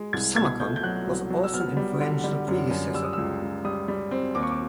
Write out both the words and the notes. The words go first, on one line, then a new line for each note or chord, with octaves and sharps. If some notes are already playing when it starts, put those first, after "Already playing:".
Summercon was also an influential predecessor.
Already playing: G#3
C2 G#6
B2 G#6
A3 G6
G6
F#3 F#6
C2
F#3
E6
B3 F6
G3
D3
G3
F#2
F#2
G3 E6
D#6
C#2 E6
C#2
G3 D#6
G3
C4
D#2 D6
C#6
D6